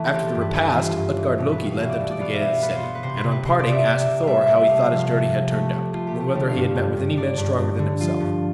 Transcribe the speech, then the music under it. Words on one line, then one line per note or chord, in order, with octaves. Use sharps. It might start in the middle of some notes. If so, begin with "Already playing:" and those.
After the repast Utgard-Loki led them to the gate of the city, and on parting asked Thor how he thought his journey had turned out, and whether he had met with any men stronger than himself.
Already playing: E3 A3
C4 G4
A4
G2
B4
E3 B4
E3 F4
G2
E3
B2 G4
B4
B3
F5
B2 E5
D5
B2 D5
D5
B3 F5
E5
B3
F5
B3 B4
C5
B3
B4
C3 C5
B4
C3
B4
C3 C5
D5
C3
E5
C3 E5
C3
G3 E5 F5
E5
C3
E5
A3 F5
F3
F5
C3 E5
C3
A3
C3
A3 F4
G4
A3
G4
D3 G4
F5
G2
G2
G2
G2 D5
G2
G2
D3
F3 F4
G2